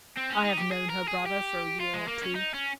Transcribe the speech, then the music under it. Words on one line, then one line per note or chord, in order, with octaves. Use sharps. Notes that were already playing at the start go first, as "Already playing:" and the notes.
I have known her brother for a year or two.
C4
C#4
D#4
G4
G#4
A#4
G#4
G4
F4
G#3
A#3
C#4
D#4
C#4